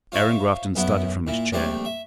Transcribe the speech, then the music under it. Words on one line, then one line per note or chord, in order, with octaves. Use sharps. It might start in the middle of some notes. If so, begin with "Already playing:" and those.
Aaron Grafton started from his chair.
F4 C5 C#5 E5 F5
B1 F#2 B3 E4 F#5
A#2 E4
A#1 G3 A3 C4 D4 C6
E5